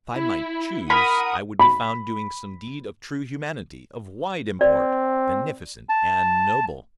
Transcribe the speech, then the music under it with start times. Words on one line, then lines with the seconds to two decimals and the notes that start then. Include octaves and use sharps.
If I might choose, I would be found doing some deed of true humanity, of wide import, beneficent and noble.
0.15 E4
0.90 A#4 F#5 B5 D#6
1.59 B5
4.61 C4 D5
5.89 A5